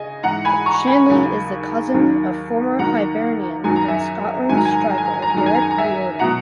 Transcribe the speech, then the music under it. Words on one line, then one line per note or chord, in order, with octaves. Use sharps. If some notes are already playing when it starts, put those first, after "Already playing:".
Shanley is the cousin of former Hibernian and Scotland striker Derek Riordan.
Already playing: C#3 D#5 G#5
G#2 E3 F#5 A#5
G#5 B5
A#5 C#6
G#5 B5
D#2 C#3 F#3
D#2 D#3 F#3
D#2 D#3 F#3 F#5 A#5
F#2 D#3 F#3 G#5
A#5
E5 G#5
G#2 D#3 F#3 G#5
A#5
G#5
A#5
G#5
A#5
G#5
A#5
G#5
A#5
G#5
F#2 D#3 F#3 A#5
G#5
A#5
G#5
A#5
E5 G#5
B2 F#3 F#5 A#5